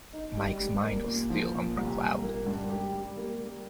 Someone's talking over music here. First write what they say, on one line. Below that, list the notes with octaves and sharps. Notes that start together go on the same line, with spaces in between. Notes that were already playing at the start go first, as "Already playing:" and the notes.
Mike's mind was still under a cloud.
D#4
G3
G3
A#3
A#2
F3
A#2
C2
A#2
A#3
G2
G4
G3
A#3
G3